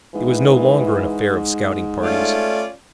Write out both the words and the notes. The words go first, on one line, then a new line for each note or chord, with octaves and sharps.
It was no longer an affair of scouting parties.
G#2 E3
A3 C#4 F4 D5